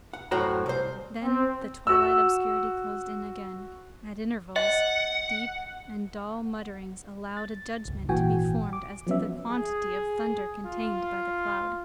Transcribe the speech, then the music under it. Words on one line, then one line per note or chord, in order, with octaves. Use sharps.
Then the twilight obscurity closed in again. At intervals, deep and dull mutterings allowed a judgment to be formed as to the quantity of thunder contained by the cloud.
F#5
F#2 A2 F#4 C5 G5 A#5
C2 C5
C4
F#4 E6
D#5 F#5
A6
G1 C#2
G#1 A#2 E3 F#4 G5 G#5
D6
F3 F#3 B3 C#4 E5
G#4
F4